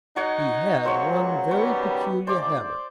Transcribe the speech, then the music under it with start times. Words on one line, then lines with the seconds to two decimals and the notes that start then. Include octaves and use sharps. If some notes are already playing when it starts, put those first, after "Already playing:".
He had one very peculiar habit.
0.16 D#4 F#4 C#5 F#5
0.85 C#2 A#2 F#3 C5 C#5 C#6
1.51 F#2 D#3 G3 B3 C#6
2.27 D2 G#2 C5 D5 D6